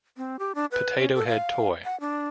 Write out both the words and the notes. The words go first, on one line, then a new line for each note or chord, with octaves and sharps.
Potato Head toy.
C4
G4
D4
B4
C#4
A4
F5
F#5
D4